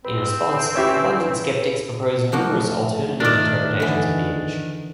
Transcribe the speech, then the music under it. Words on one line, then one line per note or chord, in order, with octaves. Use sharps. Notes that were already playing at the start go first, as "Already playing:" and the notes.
In response, abundant skeptics proposed numerous alternative interpretations of the image.
C4 B4
C#4 E4 G4
F3 A3 A#3 F#4
D#3 D4 A#4 D5
D3 E3